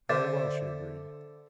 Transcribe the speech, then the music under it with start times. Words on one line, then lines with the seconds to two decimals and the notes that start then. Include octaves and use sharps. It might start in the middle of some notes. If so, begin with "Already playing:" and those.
"Very well," she agreed.
0.09 D3 C5 D5 E5